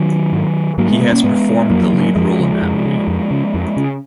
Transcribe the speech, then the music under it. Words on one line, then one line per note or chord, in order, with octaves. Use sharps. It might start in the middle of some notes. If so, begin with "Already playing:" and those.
He has performed the lead role in that movie.
Already playing: D#3 F#3
G#2
G#2 F#3 A#3
G#3 B3
G#3 B3
A#3 C#4
G#2 G#3 B3
F2 F#3 A#3
C#3
F2 F3 G#3
C#3
F2
C#3
F2
C#3
F2
C#3